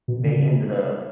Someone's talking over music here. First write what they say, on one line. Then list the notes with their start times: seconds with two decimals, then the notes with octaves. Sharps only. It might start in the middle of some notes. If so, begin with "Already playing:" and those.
they ended up
0.08 B2
0.24 D3
0.39 C#3